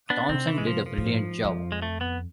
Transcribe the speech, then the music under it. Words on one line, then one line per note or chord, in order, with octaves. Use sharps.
Thomson did a brilliant job.
B3 D4
C3 C4
E3
G#3
F3
F3
A2
G#2
F2
G#3
A3
B3